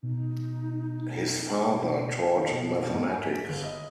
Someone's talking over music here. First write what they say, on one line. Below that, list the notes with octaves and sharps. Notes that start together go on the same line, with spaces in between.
His father taught mathematics.
B2 D#4
D#3
B2
B2
G#2
G#5
B6
G1
D#5